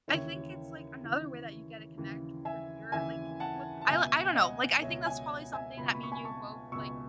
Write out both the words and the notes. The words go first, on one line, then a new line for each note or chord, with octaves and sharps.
I think it's, like, another way that you get to connect with your, like, with I I don't know, like, I think that's probably something that me and you both, like
D#2 C#3 E3 C#5 E5
D#2 C#3 E3
D#2 C#3 E3
E5 G#5
D#2 C#3 E3 E5 G#5
F#5 A5
A5
C#2 B2 E5 G#5
D#5 F#5
C#2 B2 C#5 E5
E5 G#5
E5 G#5
C#2 B2 B5
C#6
B5
C#6
G#5 B5
A5 C#6
C#2 B2 C#6 E6